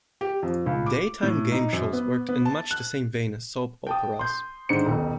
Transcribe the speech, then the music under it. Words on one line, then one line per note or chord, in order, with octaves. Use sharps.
Daytime game shows worked in much the same vein as soap operas.
G4
F2
C#2
D6
A2
D#4
F#2
B3
B3
A5
F#6
G5 A5 D#6
C6 G6
G#2 D3 D#3 C5 C#7
D#1 B1